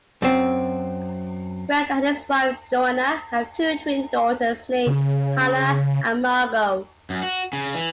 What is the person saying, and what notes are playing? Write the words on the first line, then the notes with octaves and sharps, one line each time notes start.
Grant and his wife Joanna have two twin daughters named Hannah and Margo.
F#2 C4
C#3
F#2
F#4
C#3
E3